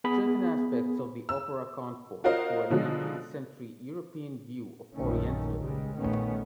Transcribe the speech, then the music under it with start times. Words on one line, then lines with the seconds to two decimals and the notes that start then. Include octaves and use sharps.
Certain aspects of the opera conform to an eighteenth-century European view of orientalism.
0.04 B3 G#4 B5
1.29 E6
2.24 F4 F#4 A#4 C5 D#5 F5
2.70 B2 D3 F3 F#3 G#3
4.93 A#1 F#2 A#2 D#3 A3 C#4
5.58 C#2 C#3 G3 G#3
5.97 A#1 D#3 A3 B3 C#4